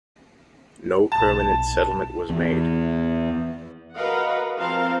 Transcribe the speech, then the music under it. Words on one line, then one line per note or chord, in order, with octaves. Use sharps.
No permanent settlement was made.
B1 A5
E2
F#4 A#4 B4 D#5 F5 F#5
F3 C4 A#4 C5 F5 A5